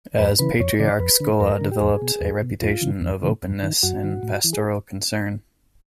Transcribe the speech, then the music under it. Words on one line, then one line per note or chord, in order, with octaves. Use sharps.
As patriarch Scola developed a reputation of openness and pastoral concern.
F2 B4
C#3 E3 B4
F2 C#5
C#3 E3 D5
F2 B4
D3
F2 A#4
D3
G4
E2 G#4
B2
E2
B2
F2 F4
C#3 E3
F2
C#3 E3
F#2
D#3
F#2 F#4
D#3
A2
E3
G#4